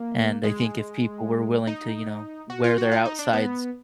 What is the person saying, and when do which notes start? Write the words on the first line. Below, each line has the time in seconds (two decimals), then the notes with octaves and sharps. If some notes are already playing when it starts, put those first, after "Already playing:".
And I think if people were willing to, you know, wear their outsides
Already playing: A#3
0.44 G#3
1.67 D#4
2.50 F#4
2.64 F4
2.78 F#4
2.92 F4
3.05 D#4
3.19 D4
3.33 B3